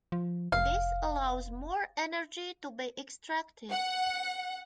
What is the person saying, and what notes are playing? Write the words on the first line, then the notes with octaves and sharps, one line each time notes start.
This allows more energy to be extracted.
F3
F1 F5
F#5